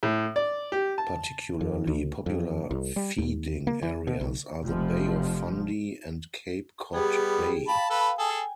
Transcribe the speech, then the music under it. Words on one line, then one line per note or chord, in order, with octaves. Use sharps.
Particularly popular feeding areas are the Bay of Fundy and Cape Cod Bay.
A2
D5
G4
A5
F2
D2
F2
C2
G3
D#2
A#3
E3
B2
B1
F1 F3
G3 B3 G4 G#4 G5
F5 G5 A5 B5
A4 B4
G#4 A4 G5 G#5